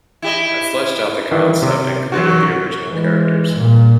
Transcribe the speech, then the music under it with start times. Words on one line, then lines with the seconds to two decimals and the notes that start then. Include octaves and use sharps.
I fleshed out the concept and created the original characters.
0.22 E4 G4 D#5
1.31 D#3 E3
1.62 C3
2.12 D#3 E3 F#3 F#4
2.90 E3 G#3
3.55 G2 A#2